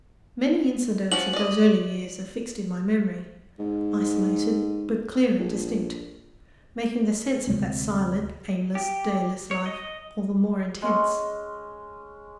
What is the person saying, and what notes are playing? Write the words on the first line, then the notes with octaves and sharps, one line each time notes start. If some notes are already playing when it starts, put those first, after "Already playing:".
Many incidents of those early years are fixed in my memory, isolated, but clear and distinct, making the sense of that silent, aimless, dayless life all the more intense.
F3 C#4 F#4 F#7
D5 D#5
G#2
A#1
D2 C3 G#3 C4
G4
C#5
D#5
G#3 C#4